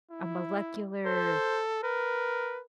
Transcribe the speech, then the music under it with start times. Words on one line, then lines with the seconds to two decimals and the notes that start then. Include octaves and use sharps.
a molecular
0.10 E4
1.05 A4 C5
1.83 A#4 B4